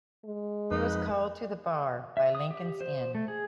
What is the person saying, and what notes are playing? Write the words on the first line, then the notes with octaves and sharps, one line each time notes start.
He was called to the Bar by "Lincoln's Inn".
G#3
F2 D#4 B4
E5
D#6
G4
C5
A3
G#4